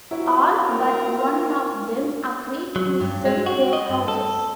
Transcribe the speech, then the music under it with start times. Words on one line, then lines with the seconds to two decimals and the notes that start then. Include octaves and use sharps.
All but one of them agreed to sell their houses.
0.11 F3 F#3 E4
0.66 C4 F4 A#4
2.76 F#3
3.01 G2
3.25 G#3
3.46 F#4
3.73 D#5
3.90 G2
4.08 A4